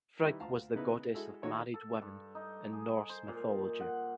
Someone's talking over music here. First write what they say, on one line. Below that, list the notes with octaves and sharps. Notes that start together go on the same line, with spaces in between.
Frigg was the goddess of married women, in Norse mythology.
D#3 G3 D#4 E4 B4
D2 F4 F5 A5 A#5
C#3 B3 D#4 E4 B4
G#3 E4 F#4 G#4 A4
D#3 A#3 D#4 F#4 A4 C#5
A4
G2
D#4
G#4
C5
A#2
F#5